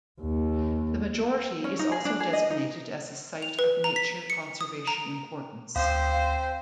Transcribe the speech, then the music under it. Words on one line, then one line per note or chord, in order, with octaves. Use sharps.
The majority is also designated as a Site of Nature Conservation Importance.
D#2
C#4
D#4
G#4
D4
G#4
D#5
D#4
F7
B4
A#5
B6
C#7
D#6
A#5
D2 C4 C5 F5